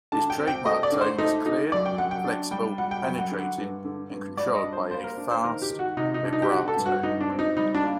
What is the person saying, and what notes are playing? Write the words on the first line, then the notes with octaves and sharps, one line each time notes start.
His trademark tone was clear, flexible, penetrating, and controlled by a fast vibrato.
D3 A5
G5
C4
G5
A3 D#5
D5
D3
C5
A3 D#4
D3 D#4
F#2 D5
G5
F#2 F#5
G5
D4
G3 G5
G3 F#5
G5
F#2 G5
F#5
D3
G2
D3
G2
G3 D5
D#5
D4
C5
A#3 C5
A#4
D4
C5
D#3 A#4
G4
D#3
F#4
C3 D#4
D#4
D4
D#4
G4
D3 F#4
A4
G2
F#4
G2 D#4
D4
C4
D#4
G3 D#4
D4
A#3